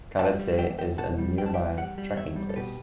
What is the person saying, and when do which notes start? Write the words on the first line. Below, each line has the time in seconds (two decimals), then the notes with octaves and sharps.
Khalatse is a nearby trekking place.
0.19 G3 F#5 A5
0.39 G3
0.59 E2 E5 G5
0.78 E2 E5 G5
0.98 B2 F#5 A5
1.18 G3
1.38 G3 G5
1.46 A5
1.54 E5 G5
1.57 E2
1.77 G3 D5 F#5
1.98 G3
2.16 E2 C#5 E5
2.36 G3
2.49 A4
2.56 B2 G4 B4